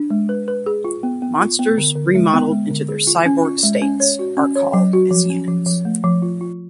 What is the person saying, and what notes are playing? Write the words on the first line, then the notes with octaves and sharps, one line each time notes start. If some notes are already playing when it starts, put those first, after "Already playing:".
Monsters remodeled into their cyborg states are called as units.
Already playing: D4
G#3
B4
B4
G#4
F4
B3
B3
F4
B3
D3
D3
G#3
B3
G#3
D3
G#4
F4
C#4
F4
G#3
C#4
C#5
F#4
C#4
C#5
F#3
F#4
F3
C#4
F3
F3
A3
F3
F4
F4